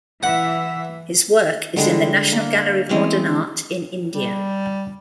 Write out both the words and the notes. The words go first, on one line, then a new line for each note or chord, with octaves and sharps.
His work is in the National Gallery of Modern Art in India.
E3 E5 F#5
D3 G3 G#3 D4
A#3
E3 G#3 C4 C#4
G3